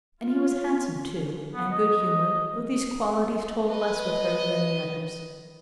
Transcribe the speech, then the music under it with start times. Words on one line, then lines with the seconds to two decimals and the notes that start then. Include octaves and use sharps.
And he was handsome too, and good-humoured, though these qualities told less with her than the others.
0.23 F4
1.54 B3
1.71 D#5
3.66 B4 D#5